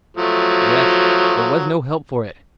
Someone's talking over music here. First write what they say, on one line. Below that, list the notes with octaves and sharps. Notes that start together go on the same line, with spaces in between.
Yes! there was no help for it.
F3 F#3 A3